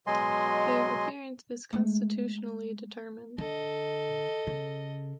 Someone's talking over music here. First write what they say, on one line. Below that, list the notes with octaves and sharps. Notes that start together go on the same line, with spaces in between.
Their appearance is constitutionally determined.
B2 F#3 G#3 D#5 G#5 C6
G#3 A3
D3 A4 D#5
C#3